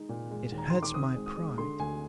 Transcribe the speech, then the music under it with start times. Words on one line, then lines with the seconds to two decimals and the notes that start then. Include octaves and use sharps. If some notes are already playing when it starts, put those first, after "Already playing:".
It hurts my pride.
Already playing: G#3 D#4
0.09 A#2
0.31 G#3
0.52 D#2
0.58 A#5
0.70 D#3 C6
0.83 D6
0.94 C4 D#6
1.16 G#3
1.26 D#6
1.37 G#3
1.58 D3 C6
1.80 D2 G#5